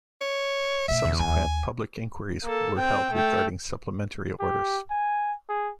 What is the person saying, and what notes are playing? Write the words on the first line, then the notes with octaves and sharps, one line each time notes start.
Subsequent public inquiries were held regarding Supplementary Orders.
C#5
B2 A3 E5
E2
D#2 G#5
A#3 A4
C4 G5
A3 G5
G4
G#5
G#4